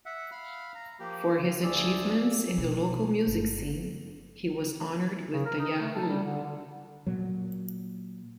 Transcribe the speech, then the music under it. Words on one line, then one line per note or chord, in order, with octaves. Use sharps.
For his achievements in the local music scene, he was honoured with the Yahoo!
E5 F#5
F5 B5 F6
A#5
F3 A#3 G4
D2 F3 G#4 D5 E6
D5
B2
G1
C#3
A#4
D#4
A3
A4
G3
D3
D3
A#2 F#3